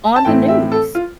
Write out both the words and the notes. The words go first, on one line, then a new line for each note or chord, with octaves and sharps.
on the news.
A5
A2 E3 A3 C4 G5
E5
A4
F4